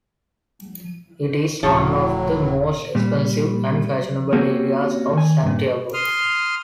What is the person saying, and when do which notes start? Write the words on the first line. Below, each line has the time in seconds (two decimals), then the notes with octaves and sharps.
It is one of the most expensive and fashionable areas of Santiago.
1.63 D#1 A2 F3 F#3 E4 C#5
2.95 A#2 G3
4.33 A#3 C4 C#4 F#4 G4
5.13 D#3 G#5
5.43 G2 A#2
5.94 C6 D#6 F6